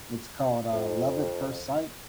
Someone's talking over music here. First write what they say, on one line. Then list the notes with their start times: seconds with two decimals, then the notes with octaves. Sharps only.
It's called, uh, Love at First Sight
0.73 F2